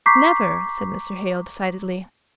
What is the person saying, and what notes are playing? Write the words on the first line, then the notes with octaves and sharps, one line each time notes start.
'Never!' said Mr. Hale, decidedly.
A#5 C#6 D6 G6 B6 C7